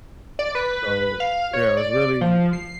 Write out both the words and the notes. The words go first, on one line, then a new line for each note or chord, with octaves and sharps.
so, yeah, it's really
D5
B4
F5
C#5
D5
F3
C7